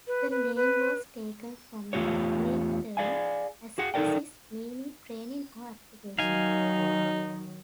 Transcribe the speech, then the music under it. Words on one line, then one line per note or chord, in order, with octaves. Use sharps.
The name was taken from the Greek term "Askesis", meaning 'training' or 'application'.
B4
B4
B4
E2 C#3 A3 F4 G4 C#5
G#4 D5 F5 G#5
F#4 G#4 F#5
D#4 A4 A#4 D5 G5
D#3 F#3 D#4 F5 G#5